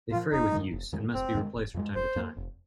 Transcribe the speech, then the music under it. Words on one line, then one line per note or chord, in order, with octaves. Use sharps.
They fray with use, and must be replaced from time to time.
A#2 F3 F4
F1 D#4
F2 D#3 G#3
F1
F2 D#3 G#3
F1 C4
F2 D#3 G#3
F1
F2 D#3 G#3
F1 C5
F2 F3 A#3
F1